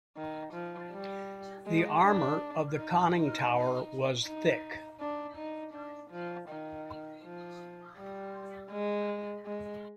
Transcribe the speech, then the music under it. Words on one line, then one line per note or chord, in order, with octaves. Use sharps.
The armour of the conning tower was thick.
D#3
F3
G3
G#3
D4
D#4
D#4
D#4
D4
D#4
D4
F3
D#3
F3
G3
G#3
G#3